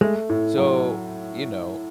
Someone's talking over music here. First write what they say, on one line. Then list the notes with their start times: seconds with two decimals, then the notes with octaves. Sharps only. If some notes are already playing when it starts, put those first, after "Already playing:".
So, you know
0.01 G#3 A3
0.29 A2
0.58 F#3